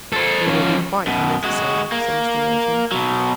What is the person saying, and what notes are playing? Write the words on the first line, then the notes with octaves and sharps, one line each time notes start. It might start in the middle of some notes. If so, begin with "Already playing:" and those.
"It will be quite unnecessary," said Mr. Merton.
A4 C5
F3 C#4
F#2 B2
G#3 F#4
A#3
B2 F#3